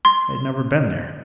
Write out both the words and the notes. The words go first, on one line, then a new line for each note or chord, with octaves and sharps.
I had never been there.
C6